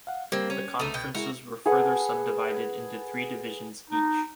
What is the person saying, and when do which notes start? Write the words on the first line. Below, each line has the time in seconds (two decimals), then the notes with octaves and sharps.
The conferences were further subdivided into three divisions each.
0.07 F5 F#5
0.32 G3 A#3 C4 G4 C5
0.50 C#4
0.79 C2 A3 D#4 D#6
0.94 B2 G5
1.15 G#3 E4 F#4 G#4 A#4
1.66 G#4 A4 B4 F#5
3.90 D#4